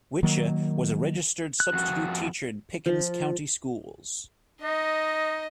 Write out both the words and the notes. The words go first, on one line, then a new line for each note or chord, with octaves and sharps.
Wyche was a registered substitute teacher in Pickens County schools.
D#3 F#3 A#3
F#6
F2 F#4
F3
D#4 D#5